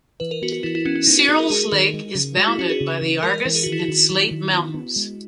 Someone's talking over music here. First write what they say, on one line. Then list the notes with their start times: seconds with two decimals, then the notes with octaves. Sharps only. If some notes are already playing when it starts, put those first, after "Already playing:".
Searles Lake is bounded by the Argus and Slate Mountains.
0.20 E3 B4
0.31 A#4
0.42 B3 F#4
0.52 F#4
0.63 E3 E4
0.75 E4
0.85 B3 C#4
0.96 C#4
1.06 B3 D#4
1.17 F#4
1.28 B3 G#4
1.40 A#4
1.50 G#3 G#4
1.72 D#3
1.94 G#3
2.15 C#3
2.36 G#3 F#4
2.48 E4
2.58 C#4 F#4
2.69 G#4
2.81 C#3
3.02 E3
3.23 G#3 A#4
3.34 A#4
3.45 E3 A#4
3.55 G#4
3.63 D#3 F#4
3.72 E4
3.80 F#4
3.88 D#3
4.10 F#3
4.31 D#3
4.53 B3
4.74 B3
4.96 G#3